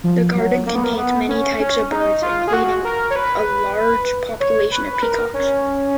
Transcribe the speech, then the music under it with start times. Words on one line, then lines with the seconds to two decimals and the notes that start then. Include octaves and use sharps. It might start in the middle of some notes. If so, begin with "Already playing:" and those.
The garden contains many types of birds, including a large population of peacocks.
0.04 F3
0.35 F#3
0.66 A#3
0.75 B3
0.84 A#3
0.97 B3
1.29 C#4
1.60 C#4
1.91 D#4
2.22 F4
2.47 G#4
2.53 F#4
2.85 A#4
3.10 C#5
3.16 B4
4.40 C#5
4.71 B4
4.93 B4
5.02 A#4
5.34 C#4